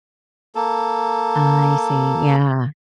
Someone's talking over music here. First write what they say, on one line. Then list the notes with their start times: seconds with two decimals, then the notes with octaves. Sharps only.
I see. Yeah.
0.55 A#3 A4